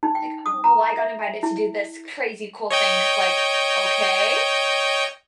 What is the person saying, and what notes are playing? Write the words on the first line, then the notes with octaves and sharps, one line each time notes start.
Like, "Oh, I got invited to do this crazy cool thing," and it's, like, "Okay,
D#4
G5
D#6
A#5
E5
E4
C#5 D#5 G5